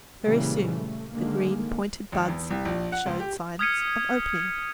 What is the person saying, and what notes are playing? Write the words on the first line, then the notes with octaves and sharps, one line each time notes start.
Very soon the green, pointed buds showed signs of opening.
A#2 C#3 E3 G3 G#3 A#3
A3
D3 D#3 G#3 A#3
G#1
E2
C2
A#1
F#5
C#2
G4
D#6 F6 G#6 B6 C#7 D#7